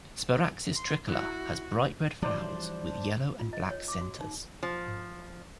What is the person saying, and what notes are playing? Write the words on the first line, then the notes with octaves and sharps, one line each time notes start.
"Sparaxis tricolor" has bright red flowers with yellow and black centres.
C6
E4 F#4 F#6
E3 F3 G3 D4 C5
F4
D#5
C#5
D6
F#4
D#4
F3